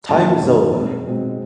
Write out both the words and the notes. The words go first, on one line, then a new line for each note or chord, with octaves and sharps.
Time's over!
F#2 D#3 F#3 A#3 A5
F#2 D#3 F#3 A#3
B2 G#3 C4
B2 G#3 C4